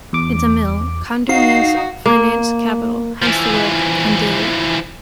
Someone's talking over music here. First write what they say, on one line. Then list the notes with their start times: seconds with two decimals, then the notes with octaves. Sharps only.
In Tamil; "Kandu" means "finance capital," hence the word Kandhili.
0.13 E2 D6
1.29 D#4 F#4 F5 C7
2.06 A#3
3.22 E3 F3